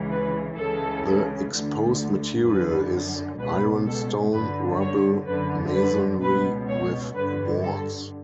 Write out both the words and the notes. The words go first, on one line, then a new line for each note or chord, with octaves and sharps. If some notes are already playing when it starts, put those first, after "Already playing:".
The exposed material is ironstone rubble masonry, with walls.
Already playing: C#2 C#3 E3
B4
C#2 C#3 E3 A4
D2 D3
F#2 D3 B4
C#2 B2 B4
A4
G2 D3 B4
C#5
F#2 D3 B4
B4
C#2 B2 B4
C#5
G2 D3 B4
A4